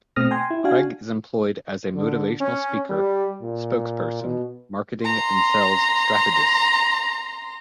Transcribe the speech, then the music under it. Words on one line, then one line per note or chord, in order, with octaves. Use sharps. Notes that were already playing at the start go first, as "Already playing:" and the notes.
Craig is employed as a motivational speaker, spokesperson, marketing and sales strategist.
B2 A3 C4 D#6 F6 A#6
G5 G#5 C6
E4
D4 F#4 F5 G#5
D3
C#4
G3
A#2
B2
A#5 C6